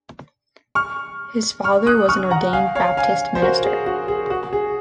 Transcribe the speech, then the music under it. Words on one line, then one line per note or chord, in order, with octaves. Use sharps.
His father was an ordained Baptist minister.
C#6 F6
C#6 F6
D#6 F#6
C#6 F6
F#5 A#5
F5 G#5
C#5 F5
F5 G#5
C5
F#4 A#4
G#4
F#4
G#4
F#4
G#4